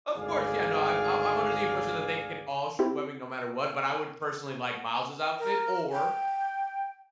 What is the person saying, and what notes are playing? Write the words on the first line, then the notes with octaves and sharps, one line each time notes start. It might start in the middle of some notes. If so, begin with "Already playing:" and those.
Of course, yeah, no, I I I'm under the impression that they can all shoot webbing no matter what, but I would personally like Miles' outfit, or,
G#1 D2 G#4 D5 F5
C4 E4 G4
A#4
G5